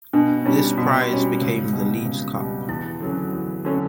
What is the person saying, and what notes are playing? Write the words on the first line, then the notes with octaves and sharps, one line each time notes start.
This prize became the Leeds Cup.
B2 D4
G3 C#4 E4
B2 F#4
F#4
G3 C#4
C#2
B2 G3
C#2
B2 G3
E2 E4
D3 F#3 C#4
E2
D3 F#3 C#4